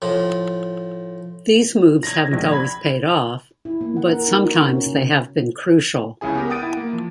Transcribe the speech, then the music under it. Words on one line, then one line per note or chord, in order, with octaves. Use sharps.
These moves haven't always paid off, but sometimes they have been crucial.
A2 F3
G#6 A#6
A#1
B5 G#6
E4
A#3
F#5
A#4
D#4
F#4
C#4
C#3
C#2 C#3 E4 G#4 G#5
B3 G4 A#4
F#5 G5 D#6 A6 D7 D#7
E4
A#3
F3